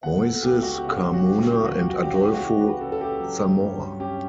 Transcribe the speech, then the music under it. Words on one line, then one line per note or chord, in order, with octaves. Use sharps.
Moises Carmona and Adolfo Zamora.
B3 F#5
A4
C#2 G4
F#4
G4
C#3
F#4
G4
F#4
G3 G4
F#4
G4
C#2 F#4
G4
F#4
C#3 G4
F#4
F#4
E3 G4
B4
C#3 A4
A4
G4
F#3
G2
C#4 G4